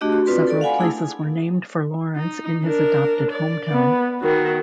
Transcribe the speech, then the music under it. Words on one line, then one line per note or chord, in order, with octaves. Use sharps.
Several places were named for Laurence in his adopted hometown.
A3 D4 F#4 G4 D#5
F#4
C4 F4 F#4 B4 D5 C6
A4 D5
F5 F#5 G#5 B5
A3 D4 E4 G#4 D#6
D#4
D4 A#4
D5
B3
D#3 F#4